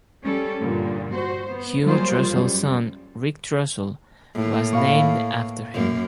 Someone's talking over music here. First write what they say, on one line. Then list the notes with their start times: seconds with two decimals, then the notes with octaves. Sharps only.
Hugo Throssell's son Ric Throssell was named after him.
0.24 G3 C#4 A4
0.61 G2 A#2 D3
1.13 F#4 C5
1.49 B3
1.83 F#3 G3 A#3 F4 G#4 C5
2.29 F#2 G3
4.35 A2 A#3
4.73 B4 F5 C#6
5.74 F#2 A#3